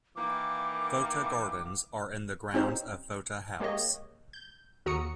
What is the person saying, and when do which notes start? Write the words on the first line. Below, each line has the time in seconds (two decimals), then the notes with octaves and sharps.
Fota Gardens are in the grounds of Fota House.
0.16 D#3 E3 A#3 D6
2.54 C4 C#4 D#4 G4 C5
3.60 G#3 A#3 G4 C#5 D#5
4.33 G6
4.86 D#2 F#4 A#5 D#6 C#7